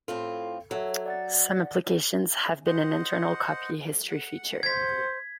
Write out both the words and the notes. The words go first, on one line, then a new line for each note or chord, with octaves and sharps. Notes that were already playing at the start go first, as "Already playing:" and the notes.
Some applications have an internal copy history feature.
A2 C4 F4 A4
F#3 A4 C#5 E5
D5 F#5 A6
C5 D#5 F#5
F#5
C5 G#6 B6